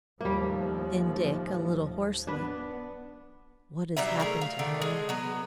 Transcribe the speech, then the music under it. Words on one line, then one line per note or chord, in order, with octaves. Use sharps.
Then Dick, a little hoarsely--'What has happened to Amomma?'
D#2 A2 F3 G3 A#3
B3 D4 B4
F#3 G3 D#4 E5
A3 G#4 A#4
F5
D3 D#3 A3
G#3
F#3 B3